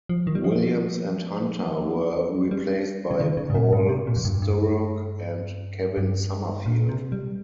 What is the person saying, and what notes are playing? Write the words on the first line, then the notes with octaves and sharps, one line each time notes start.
Williams and Hunter were replaced by Paul Sturrock and Kevin Summerfield.
F3
D#3
G3
F3
G3
C#3
D#3
C#3
G#2
A#2
G#2
C3
A#2
F2
G2
G2
G2
A#2
C3
G3